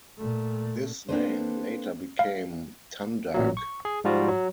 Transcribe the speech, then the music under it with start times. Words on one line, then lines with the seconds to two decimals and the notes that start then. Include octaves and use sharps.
This name later became Tandag.
0.17 A#2 A3
1.09 A#3 C4 D4 A4 B4 C5
2.19 F5
3.34 A1 A#2 F#3
3.57 C#6
3.85 G#4
4.04 G#2 F3 G3 F4 F#4
4.28 F#3